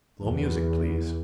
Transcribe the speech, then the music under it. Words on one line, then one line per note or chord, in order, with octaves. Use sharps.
Slow music, please.
E2